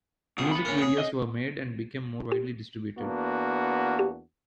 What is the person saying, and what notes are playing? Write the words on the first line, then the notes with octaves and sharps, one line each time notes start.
Music videos were made and became more widely distributed.
D2 C3 G#4
A#3 B5
C#4 A#4
G#4 C#5
D#5
E2 A#3 B3 D4 F#4